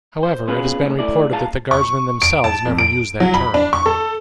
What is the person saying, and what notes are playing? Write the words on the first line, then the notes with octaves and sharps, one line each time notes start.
However, it has been reported that the guardsmen themselves never use that term.
C5
B3 C#4 F4 G#4 B4
A2 D3 D#3 G#3 C#4
A3 E4 D5
C#2 A#2 G#4 F5 A5 A#5
C#6
D7
A5
F2
D7
F#3
B5
D4
C#6
A4